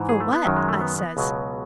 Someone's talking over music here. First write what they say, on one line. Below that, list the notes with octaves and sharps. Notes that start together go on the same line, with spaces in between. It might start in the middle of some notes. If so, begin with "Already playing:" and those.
"For what?" I says.
Already playing: G#2 E3
G#4
A3
B3
F#2 D#3 F#3
G#3
A3
B3
B3
C#2 B2 F#3